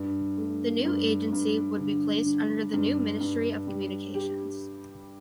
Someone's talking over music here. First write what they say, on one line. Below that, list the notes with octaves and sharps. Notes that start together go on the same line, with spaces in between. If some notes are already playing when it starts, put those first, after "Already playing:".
The new agency would be placed under the new Ministry of Communications.
Already playing: G2
A3
G2
G2
D3
D3
G2
G2
G3
G4